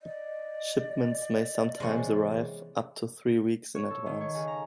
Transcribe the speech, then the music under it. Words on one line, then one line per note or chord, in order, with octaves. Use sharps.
Shipments may sometimes arrive up to three weeks in advance.
D5 D#5
C3 E3 G#3 B3 C#5
C#5
A4
D#3
C#5
C#3
A#5